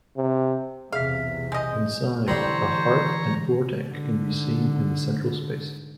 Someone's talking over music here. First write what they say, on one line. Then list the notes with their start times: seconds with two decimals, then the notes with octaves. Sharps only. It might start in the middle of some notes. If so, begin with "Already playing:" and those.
Inside a hearth and floor tank can be seen in the central space.
0.17 C3
0.92 B1 E2 C3 G#4 E5 F5 B6
1.52 G#3 D#5 G6
2.28 A1 D3 E3 G3 C4 C5 C#5 A#5
3.86 G#2 D3